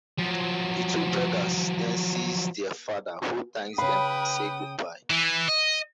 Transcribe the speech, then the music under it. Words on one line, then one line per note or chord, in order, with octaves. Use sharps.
The two brothers then sees their father who thanks them and say goodbye.
F3 F#3
C#3 B4 F5 G5 B5 D#6
E3
D#5